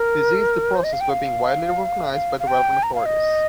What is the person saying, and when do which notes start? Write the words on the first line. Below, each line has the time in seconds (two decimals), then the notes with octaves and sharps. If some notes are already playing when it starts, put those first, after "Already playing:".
This aids the process by being widely recognised by the relevant authorities.
Already playing: A#4
0.75 C5
0.84 D#5
0.93 F5
1.01 G5
1.10 F5
2.13 F5
2.40 F5
2.47 G5
2.83 A#5
2.94 F5
3.06 D#5